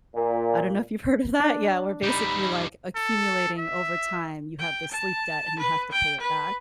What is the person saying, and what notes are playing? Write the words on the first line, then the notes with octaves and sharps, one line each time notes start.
I don't know if you've heard of that? Yeah, where basically, like, accumulating over time, you have this sleep debt and you have to pay it back.
A#2
D4
G3 D#4 B5
A4
E5
G5
A5
B4
G5
B4